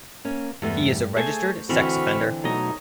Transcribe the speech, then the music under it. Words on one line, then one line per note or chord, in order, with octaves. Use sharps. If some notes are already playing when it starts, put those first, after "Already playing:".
He is a registered sex offender.
A#3 C#4
E2 G2 A3 B3
A3 G#4 A4 C5 G#5 A5 C#6
D3 E3 C4 F#4 B5 C#6 F6
B2 F#3 A3 D#4 C#5 D#5